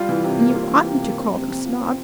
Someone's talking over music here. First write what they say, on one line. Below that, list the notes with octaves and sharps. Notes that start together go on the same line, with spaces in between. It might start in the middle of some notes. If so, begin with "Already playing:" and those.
And you oughtn't to call them snobs.
Already playing: G3 F4
E3
C3
A#3
F4
E3
C3
A#3
C4
C3
F2
F3
C4